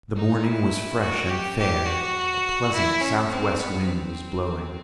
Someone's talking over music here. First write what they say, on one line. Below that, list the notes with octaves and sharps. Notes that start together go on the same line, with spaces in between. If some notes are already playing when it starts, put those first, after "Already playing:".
The morning was fresh and fair; a pleasant southwest wind was blowing.
D#4
E4
F#4
G4
G4
F#4
E4
C#4
C4
B3
C4